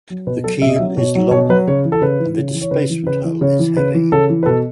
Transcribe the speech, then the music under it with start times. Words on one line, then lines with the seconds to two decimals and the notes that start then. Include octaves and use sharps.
The keel is long and the displacement hull is heavy.
0.10 F#3
0.27 B2 B4
0.44 F#3 A4
0.62 B2 E5
0.69 D#5
0.76 E5
0.79 F#3
0.97 B2 C#5
1.15 F#3
1.31 B2 C#5
1.49 F#3 B4
1.67 C#3 C#5
1.85 E3
1.92 A4
2.01 C#3 B4
2.19 E3
2.37 C#3
2.54 E3
2.61 C#5
2.71 C#3 B4
2.90 E3
3.07 C#3 B4
3.24 E3
3.41 C#3 C#5
3.59 E3
3.76 C#3 B4
3.94 E3
4.12 C#3 A4
4.29 E3
4.43 B4
4.46 B2 A4